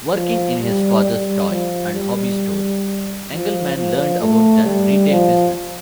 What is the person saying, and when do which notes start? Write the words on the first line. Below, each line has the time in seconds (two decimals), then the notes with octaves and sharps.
Working in his father's toy and hobby store, Engelman learned about the retail business.
0.14 F3
0.60 G3
1.05 G3
1.50 F3
1.95 G3
3.30 F3
3.75 F3
4.20 A3
4.65 G3
5.10 F3